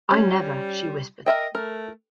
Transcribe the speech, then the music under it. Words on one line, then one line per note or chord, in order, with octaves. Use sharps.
"I never," she whispered.
G3 C#4
A#4 D#5 E5 G5
A3 A#4